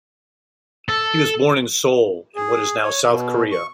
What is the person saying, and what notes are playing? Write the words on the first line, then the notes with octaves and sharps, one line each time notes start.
He was born in Seoul, in what is now South Korea.
A4
G#4
C#5
B2
C#6